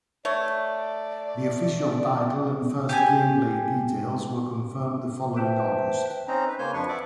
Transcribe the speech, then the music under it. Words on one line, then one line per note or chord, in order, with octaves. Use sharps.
The official title and first gameplay details were confirmed the following August.
A3 C#5 D5
G4 G#5
B4 C5 E5 G5 A5
C4 C#4 D#4 C5 A#5
B4
C#3 A#3 C5 C#5 G#5 G6
F2 F3 D4 B4 C6 C#6
D5 E5 F#5 D6